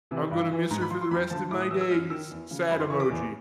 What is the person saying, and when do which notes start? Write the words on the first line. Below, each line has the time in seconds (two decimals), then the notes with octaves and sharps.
I'm gonna miss her for the rest of my days, sad emoji,
0.11 C3 E3
0.31 G2
0.51 E3
0.71 G#2 A#5
0.81 B5
0.90 F3 C6
1.01 C6
1.11 F2 B5
1.30 D3 F3 A5
1.51 A2 D6
1.61 D#6
1.71 E3 E6
1.81 E6
1.91 F#2 F6
2.10 D#3 E6
2.31 E2
2.50 C#3 F3
2.70 F#2 B5
2.80 C6
2.90 C#3 E3 C#6
3.00 D6
3.11 E2